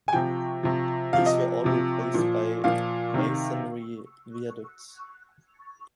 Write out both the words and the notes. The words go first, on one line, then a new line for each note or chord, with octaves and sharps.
These were all replaced by masonry viaducts.
G#5
C3 F3 G5
C3 F3
C3 F3 F5
D#5
C3 F3
A#2 F3
A#2 F3 F5
C3 D#3